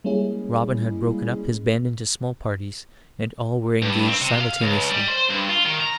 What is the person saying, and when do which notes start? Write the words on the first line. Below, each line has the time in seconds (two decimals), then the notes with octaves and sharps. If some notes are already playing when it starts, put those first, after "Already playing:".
Robin had broken up his band into small parties, and all were engaged simultaneously.
0.04 G3 G#3 A#3 C#4 E4 G#4
3.82 G2
4.08 C4
4.21 C3
4.40 F5
4.61 C#2
4.90 G3
5.08 C5
5.30 G2
5.49 F4
5.65 D#3
5.80 A#5